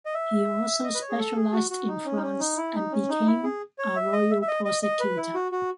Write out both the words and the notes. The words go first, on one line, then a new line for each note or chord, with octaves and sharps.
He also specialized in France and became a royal prosecutor.
D#5
E5
D#5
B4
C#5
G#4
A4
G#4
F#4
F#4
D#4
C#4
D#4
C#4
D#4
E4
D#4
C#4
D#4
E4
G#4
C#5
E5
D#5
E5
E5
D#5
D#5
D#5
B4
E4
F#4
F#4